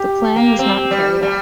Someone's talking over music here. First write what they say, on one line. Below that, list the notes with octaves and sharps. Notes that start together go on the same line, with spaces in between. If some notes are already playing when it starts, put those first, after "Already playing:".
The plan was not carried out.
Already playing: G4
A#3
C4
G3
G3